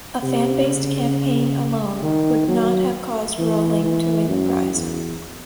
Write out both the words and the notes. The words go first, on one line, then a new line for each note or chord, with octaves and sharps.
A fan-based campaign alone would not have caused Rowling to win the prize.
C3
C#3
D#3
F#3
E3
E3
F#2
E2